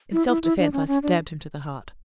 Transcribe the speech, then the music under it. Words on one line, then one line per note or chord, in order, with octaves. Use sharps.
In self-defence I stabbed him to the heart.
E4
E4
E4
D4
C#4
C#4
D4